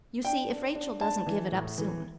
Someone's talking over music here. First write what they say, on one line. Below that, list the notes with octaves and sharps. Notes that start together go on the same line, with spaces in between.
You see if Rachel doesn't give it up soon.
D4 G5
D4
D4
D4 A5
E3
A2
E3